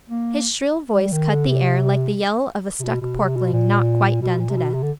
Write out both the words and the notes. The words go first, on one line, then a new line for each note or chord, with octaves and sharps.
His shrill voice cut the air like the yell of a stuck porkling not quite done to death.
A#3
G3
D#3
D3
C3
C3
B2
B2
C3
B2
A#2
B2
A#2
C3
B2
C3
D3